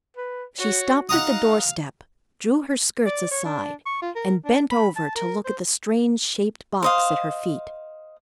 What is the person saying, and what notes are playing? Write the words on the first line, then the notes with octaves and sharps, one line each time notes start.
She stopped at the doorstep, drew her skirts aside, and bent over to look at the strange-shaped box at her feet.
B4
F#4 C#5
D#4 F5 F#5 A#5 D#6
D5
C#5
D4
C#6
F4
A#4
D4
B5
A5
A#4
C5
C5 D#5 F5